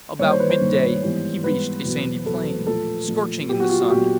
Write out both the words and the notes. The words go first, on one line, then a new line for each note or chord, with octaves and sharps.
About mid-day he reached a sandy plain, scorching in the sun.
G2 D#3 G3 A#3 C#5
C5
B4
C5
G2 D#3 G3 A#3
G#2 E3 G3 B3
G#2 E3 G3 B3 B4
E2 B2 F#3 B3
E2 B2 F#3 B3 A4
A#2 F3 A3 A4
A#2 F3 A3
A#2 F#3 B3 G4
F#4
F4
F#4
A#2 F#3 B3 G4